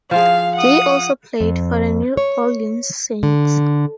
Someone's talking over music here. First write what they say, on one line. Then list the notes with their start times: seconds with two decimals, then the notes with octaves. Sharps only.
Gay also played for the New Orleans Saints.
0.11 F3 F4 G#4 F5
0.55 F#5 D#6
1.41 F2
2.17 C#5
3.23 D3